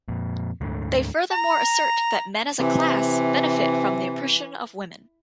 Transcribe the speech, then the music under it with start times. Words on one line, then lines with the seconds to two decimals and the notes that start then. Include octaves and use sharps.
They furthermore assert that men as a class, benefit from the oppression of women.
0.08 F2 A#2
0.61 D2 G#2 D3
1.32 A#5
2.59 C3 E3